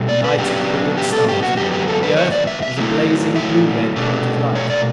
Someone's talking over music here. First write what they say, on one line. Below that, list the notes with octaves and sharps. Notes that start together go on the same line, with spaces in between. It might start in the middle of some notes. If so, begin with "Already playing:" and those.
A night of brilliant stars; the Earth was a blazing blue-red point of light.
Already playing: B2 G3 D4
D5
B4
C#3 F#3 B3 D4 G4
G4
A4
G4
F#4
F#2 D3 F#3 B3 G4
G4
A4
B4
C#5
D5
E5
E5
D3 F#3 A3 E4
E5
B2 A3 D4
C#5
D5